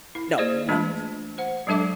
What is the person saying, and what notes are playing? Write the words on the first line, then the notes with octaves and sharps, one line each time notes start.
No, we're not,
E4
A#3 G#4 C5 D5 D#5
E3 G#3 A3 D4 F4
C5 F#5
F#3 G#3 D4 A4 E5 D6